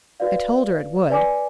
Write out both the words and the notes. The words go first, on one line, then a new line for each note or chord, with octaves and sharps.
"I told her it would."
F#4 B4 D5 F5
B4 D5 G#5 D6